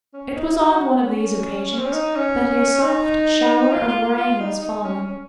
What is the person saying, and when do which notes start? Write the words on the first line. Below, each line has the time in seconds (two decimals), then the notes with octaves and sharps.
It was on one of these occasions that a soft shower of rain was falling.
0.14 C#4
0.36 D#4
0.59 F#4
1.04 C#4
1.78 C4
1.86 C#4
1.93 D#4
2.16 C#4
2.83 D#4
3.72 F4
3.88 F4
4.03 F4
4.17 F4
4.40 D#4
4.62 D#4
4.84 C#4
5.07 C#4